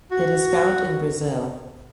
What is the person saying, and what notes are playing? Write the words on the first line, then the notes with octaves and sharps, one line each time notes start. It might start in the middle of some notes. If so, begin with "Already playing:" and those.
It is found in Brazil.
F#4